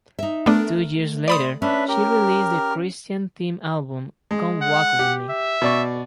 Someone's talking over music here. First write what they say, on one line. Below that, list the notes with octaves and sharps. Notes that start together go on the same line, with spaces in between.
Two years later she released the Christian themed album "Come Walk with Me".
D#4 E5
A3 B3 D4 A#4
C5 D5 B5 D#6
C#4 D4 B4 E5
G4 A#4 F6
G#3
F#5
G4
E5
B2 D5 C#6